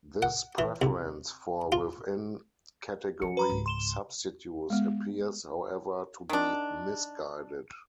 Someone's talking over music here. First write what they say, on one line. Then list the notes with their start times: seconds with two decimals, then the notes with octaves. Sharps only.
This preference for within-category substitutes appears, however, to be misguided.
0.22 F#5
0.58 E3
0.82 C2
1.72 F4
3.22 F3 C#7
3.37 B4 A#5 B5
3.49 C#2 G#2
3.66 C6 E7 G7
4.70 G#3 B3
6.29 D#3 D4